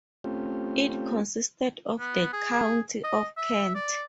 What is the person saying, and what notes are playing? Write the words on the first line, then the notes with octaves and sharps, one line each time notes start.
It consisted of the County of Kent.
A3 C4 C#4 F4 G4
B3
G#4
D#5
E5
D5